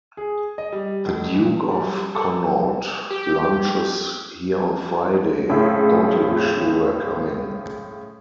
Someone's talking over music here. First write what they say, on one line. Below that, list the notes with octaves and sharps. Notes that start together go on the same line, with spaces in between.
The Duke of Connaught lunches here on Friday: don't you wish you were coming!
G#4
D#5
G3
F1
E3
G3
A4
G4
F#1 A2 C#3 E4